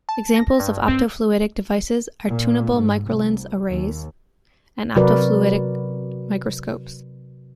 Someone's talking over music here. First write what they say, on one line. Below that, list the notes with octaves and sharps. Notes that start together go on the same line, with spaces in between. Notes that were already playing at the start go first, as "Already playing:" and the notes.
Examples of optofluidic devices are tunable microlens arrays and optofluidic microscopes.
A5
A#6
G2
C4
A#2
G#2
C2
D#2
C3 F#3 F#4 A#4 B4 D5